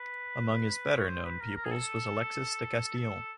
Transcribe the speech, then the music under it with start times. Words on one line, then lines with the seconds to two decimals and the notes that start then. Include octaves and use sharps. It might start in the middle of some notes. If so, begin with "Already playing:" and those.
Among his better known pupils was Alexis de Castillon.
Already playing: B4
0.97 C#5
1.08 C5
1.24 B4
1.41 A#4
1.56 A#4
1.65 G#4
1.72 A4
2.98 A4